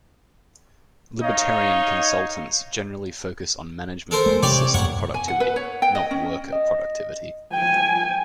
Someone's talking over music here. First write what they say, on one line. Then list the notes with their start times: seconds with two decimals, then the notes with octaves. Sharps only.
Libertarian consultants generally focus on management and system productivity, not worker productivity.
1.22 D#4 C#5 D#5 F5
4.11 A4 A#4 C5
4.26 G#3 A3
4.43 C3 G4 C#5 D5
4.74 F#2 A2 C#5 F#5 C#6
5.14 G#5
5.28 F#5
5.40 B4
5.56 C#5
5.82 G5
5.95 D#5
6.11 C#4
6.53 D#5
7.53 G5 G#5